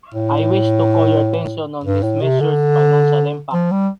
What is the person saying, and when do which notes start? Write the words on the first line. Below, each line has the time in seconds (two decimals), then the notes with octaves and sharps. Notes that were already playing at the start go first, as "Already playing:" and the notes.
I wish to call your attention on this measure’s financial impact.
0.14 A2
1.83 G2
2.03 A2
2.22 C3
2.40 D3
3.53 F3
3.72 G3